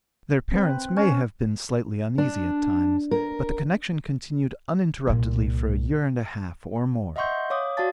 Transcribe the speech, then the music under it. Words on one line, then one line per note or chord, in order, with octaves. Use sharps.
Their parents may have been slightly uneasy at times, but the connection continued uninterruptedly for a year and a half or more.
C4 B4
C#4
D4
A#4
C2 A#2
D#5 E5 F#5 C6 C#6 G6
C#5 F5 D6 D#6
F#4 D5 F5 A5 A6